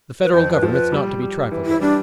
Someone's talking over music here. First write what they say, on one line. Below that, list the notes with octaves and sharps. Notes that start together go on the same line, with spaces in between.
The Federal Government's not to be trifled with.
B4
F2 C5
B4
F3 A4
B4
G3
G3
E3
E4
G3 D4